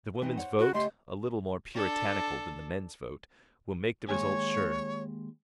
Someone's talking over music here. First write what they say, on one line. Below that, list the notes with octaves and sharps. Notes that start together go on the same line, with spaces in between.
The women's vote, a little more puritanical than the men's vote, will make the result sure.
E3 C4 D#4
C5 C#5 F#5
F#4
C#3 A3 G4 D#5 C6
D4 A4
D#2 G#3 C#5 G#5